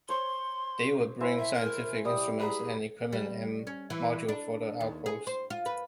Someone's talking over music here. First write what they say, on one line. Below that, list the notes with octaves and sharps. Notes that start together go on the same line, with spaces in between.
They would bring scientific instruments and equipment and modules for the outpost.
C5 C#5 C6
E4 C5 G#5
E5
A#4
G3 D#6
G#4 B4 A#5
G3
C#4
E3
D4
D#2
G#4
C5
F4
B4